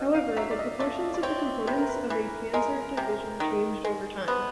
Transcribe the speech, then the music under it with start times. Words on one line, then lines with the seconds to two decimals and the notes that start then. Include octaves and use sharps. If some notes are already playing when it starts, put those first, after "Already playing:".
However, the proportions of the components of a panzer division changed over time.
Already playing: B2
0.15 F5
0.36 F#3 E5
0.51 D5
0.59 D#5
0.79 A3 D5
1.14 D5
1.23 C4 C#5
1.67 C3 B4
1.78 A#4
1.89 B4
2.10 E3
2.53 G#3 A#4
2.97 C3
3.40 D#3
3.85 G#3
4.27 B3 C5